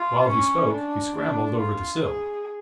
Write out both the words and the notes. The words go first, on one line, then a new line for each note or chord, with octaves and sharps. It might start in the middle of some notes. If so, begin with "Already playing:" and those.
While he spoke, he scrambled over the sill.
Already playing: F4
C#4
D4
D4
F4
G#4